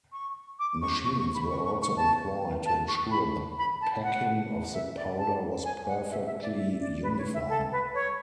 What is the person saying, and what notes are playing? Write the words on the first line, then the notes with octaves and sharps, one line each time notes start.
Machines were also employed to ensure the packing of the powder was perfectly uniform.
C#6
D6
C#6
C#6
C#6
B5
C#6
C#6
C#6
A5
A5
C#6
B5
B5
A5
F#5
E5
D5
A5
G#5
F#5
E5
E5
D5
E5
D5
B4
C#5
E5
A4
B4
C#5